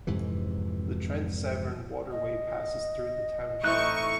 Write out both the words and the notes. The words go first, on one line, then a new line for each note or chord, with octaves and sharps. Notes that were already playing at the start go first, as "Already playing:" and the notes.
The Trent-Severn Waterway passes through the township.
F2 G#2 C3 E3
D#5
A2 E3 A3 C4 D#4 C#6 F#6